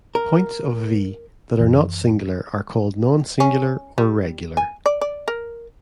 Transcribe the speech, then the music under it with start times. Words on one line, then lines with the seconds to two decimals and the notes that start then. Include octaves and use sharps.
Points of "V" that are not singular are called non-singular or regular.
0.15 A#4
1.60 F#2 E3
3.40 C#4
3.98 G3
4.57 G#5
4.86 D5
5.01 D5
5.28 A#4